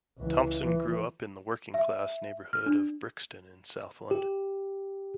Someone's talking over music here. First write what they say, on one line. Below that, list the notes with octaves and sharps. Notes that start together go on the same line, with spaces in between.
Thompson grew up in the working-class neighbourhood of Brixton in south London.
C#2 E3
E3
E5
F6
D4
G4